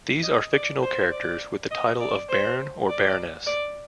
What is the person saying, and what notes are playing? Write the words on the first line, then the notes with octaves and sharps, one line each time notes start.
These are fictional characters with the title of "baron" or "baroness".
D#5
D5
C5
D5
D#5
D5
C5
D5
D5